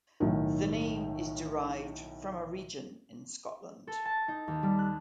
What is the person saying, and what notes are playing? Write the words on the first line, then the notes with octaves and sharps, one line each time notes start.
The name is derived from a region in Scotland.
B1 A2 D#3
A4
A5
D#4
D#2
G3
F#6